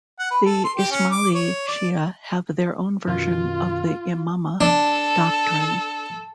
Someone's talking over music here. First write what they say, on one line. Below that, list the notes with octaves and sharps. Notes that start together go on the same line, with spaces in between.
The Ismaili Shia have their own version of the Imamah doctrine.
F#5
B4
A4
C6
G4
C#4
D6
C#5
D5
F#2 B2 D#3 F4
D4 A4